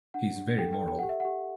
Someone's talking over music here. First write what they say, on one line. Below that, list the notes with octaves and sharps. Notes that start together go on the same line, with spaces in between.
He's very moral.
D4 F#5
D4
A4 G5
G5
A4
G5
G4 F#5
E5
F#5
G4